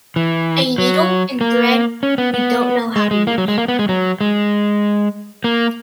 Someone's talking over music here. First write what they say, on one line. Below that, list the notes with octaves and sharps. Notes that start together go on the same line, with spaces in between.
A needle and thread we don't know how to use.
E3
F#3
A#3
C#4
B3
B3
G#3
G#3
A#3
F#3
G#3
A#3
B3
G#3
F#3
G#3
A#3